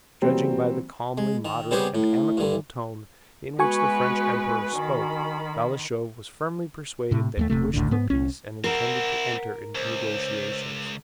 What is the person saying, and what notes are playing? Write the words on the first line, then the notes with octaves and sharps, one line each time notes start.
Judging by the calmly moderate and amicable tone in which the French Emperor spoke, Balashev was firmly persuaded that he wished for peace and intended to enter into negotiations.
E3 F#3 G3 A#3 C4
G#3
D#3
C#3 G3 B3 C4 G4 G#4
A2
G2 D3
G#3 B3 F#4 B4 G#5 C#6
D#3 B5
A2 C3
D#2 G3 A3
E1 A#1 C3 A3
F#1 D2 A2 D3
G#2 B3
C2 C#4
C4 E4 A#4 F#5
C#2 C5